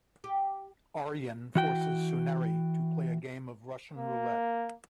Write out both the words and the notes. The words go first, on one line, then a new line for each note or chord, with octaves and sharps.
Aryan forces Sunehri to play a game of Russian roulette.
G4
E3 F#4 G5
A#3